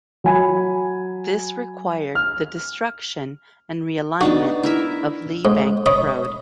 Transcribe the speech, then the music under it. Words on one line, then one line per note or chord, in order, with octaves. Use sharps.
This required the destruction and realignment of Lee Bank Road.
F#3 G#5 B5
F6
B3 D4 D#4 F#4
E4 A#4 E5
G#2
C#5 D#5 B5